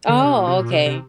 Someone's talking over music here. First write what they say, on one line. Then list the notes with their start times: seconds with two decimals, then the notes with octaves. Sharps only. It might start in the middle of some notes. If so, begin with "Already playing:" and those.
Oh, okay.
0.09 D3
0.24 C3
0.36 A#2
0.47 C3
0.59 A#2
0.71 C3
0.86 C3